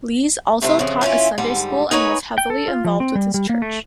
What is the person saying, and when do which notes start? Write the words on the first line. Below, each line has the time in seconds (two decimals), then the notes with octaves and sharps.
Lees also taught a Sunday School and was heavily involved with his church.
0.62 G2 C3 A3 F4 C5
0.79 F2 C#3
1.01 E3 C#4 E4 F4
1.38 G#2 D3 G3
1.91 D#4 A#4 B4 C#5 G#5
2.38 G5
2.50 A4
2.68 F4
2.85 F3
3.00 C4
3.15 G3
3.34 G3
3.49 A#3
3.62 A3